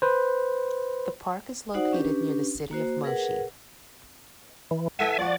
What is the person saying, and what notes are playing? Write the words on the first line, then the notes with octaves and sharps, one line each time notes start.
The park is located near the city of Moshi.
B4 C5
D#4 F#4 C5 D5 F#5
C#4 D4 G4 B4
A#3 F#4 C5
G#4 A#4 B4 F#5
E3
E3 A4 E5 F#5 G#5
F3 F#4 D5